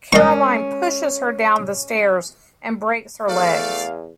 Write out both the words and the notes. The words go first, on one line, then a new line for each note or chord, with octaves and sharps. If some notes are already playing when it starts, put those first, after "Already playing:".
Caroline pushes her down the stairs and breaks her legs.
G#3 C#4 A#4 D#5 C#6
E2 A3 D5 F5